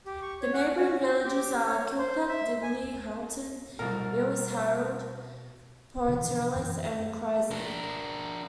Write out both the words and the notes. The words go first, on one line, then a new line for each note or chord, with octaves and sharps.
The neighbouring villages are Kilpeck, Didley, Howton, Ewyas Harold, Pontrilas and Crizeley.
G4
C#6
C#5
F#5
C#4
C5
G4
C#5
C5
E5
G#5
C2 B2 A#4
B2 D3 E3 F3
F#2 E3
D4 A#4